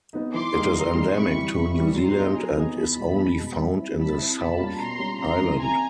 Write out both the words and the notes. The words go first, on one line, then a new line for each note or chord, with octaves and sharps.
It is endemic to New Zealand and is only found in the South Island.
B3 D#4
E3 C6 D6
G3 A#3 D#4 G#4
E3 A#5 C6
G3 A#3 D#4 G#4
C3 B5 C#6
E3 G3
C3 B5 C#6
E3 G3
F#3 A#5 C6
B3 D#4 G#4
F#3 G#5 A#5
B3 D#4 G#4
E2 A5 B5
B2 G#3
E2
B2 G#3
G3
C4 E4
G3 A5 B5
C4 E4
B2 A5 B5
G3 A#3 C#4 F4
B2 A#5 C6
G3 A#3 C#4 F4
C3 A#5 C6
E3 G3 A#3 C#4
C3 G#5 A#5